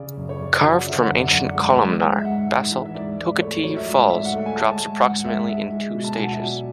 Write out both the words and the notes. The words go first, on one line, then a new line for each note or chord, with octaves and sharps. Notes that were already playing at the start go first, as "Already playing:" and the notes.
Carved from ancient columnar basalt, Toketee Falls drops approximately in two stages.
Already playing: C#3 D5
F#2
C#5
F#2 D5
F#3
F#5
D3 E5
F#5
F#2
D5
F#2 F#5
G#3
G#3
G#3
E5
G#2 F#5
G#2
E3 E5
E5
G#2 D5
G#2 D5
A3 C#5
F#3 C#5
E5
G#2 D5
G#2 E5
F#5
A3
G#5
G#3 A5
G#3
G#2 F#5
G#2 E5
G#3 E5
G#3
B2
A5
G#5
B2 F#5
E5
F#3 D5